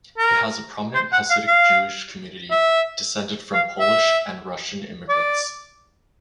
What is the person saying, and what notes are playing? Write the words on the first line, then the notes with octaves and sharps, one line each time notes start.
It has a prominent Hasidic Jewish community, descended from Polish and Russian immigrants.
A#4
C5
F#5
F5
F5
E5
F5
E5
D5